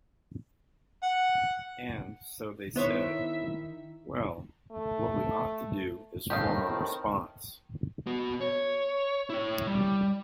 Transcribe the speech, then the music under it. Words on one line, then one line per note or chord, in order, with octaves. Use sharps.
And, so, they said, 'Well, what we ought to do is form a response.
F#5
D#3 B3 E4 C5 C#5 E5
A3
A2 D#3 C4 G4 D#5 F5
B3 F#4
C#5
E4 C#5
G3